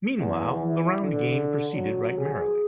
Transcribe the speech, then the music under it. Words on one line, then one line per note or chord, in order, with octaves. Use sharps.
Meanwhile the round game proceeded right merrily.
E2
E3
D3
F#3
G#4